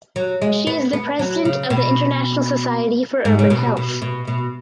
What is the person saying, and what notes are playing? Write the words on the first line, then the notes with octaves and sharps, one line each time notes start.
She is the President of the International Society for Urban Health.
F#3
G#3
B3
B3
F#3
C#3
B2
G#2
C#3
B2
B2
B2
B2